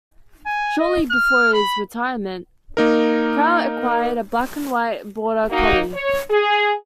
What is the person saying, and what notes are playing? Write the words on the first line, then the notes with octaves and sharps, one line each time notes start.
Shortly before his retirement, Prout acquired a black and white Border Collie.
G#5
D#5
F6
B5
A#3 D#4 A#4
A#3 D#4 F#4
C#5
G#4